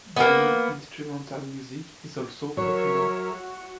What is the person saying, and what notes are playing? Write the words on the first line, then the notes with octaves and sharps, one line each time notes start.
Bayin instrumental music is also popular.
A#3 B3
F#3 A#4 C#5 E5
F#4